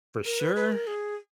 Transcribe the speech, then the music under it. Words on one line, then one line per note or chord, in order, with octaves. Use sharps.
For sure,
A#4
B4
B4
A#4
G#4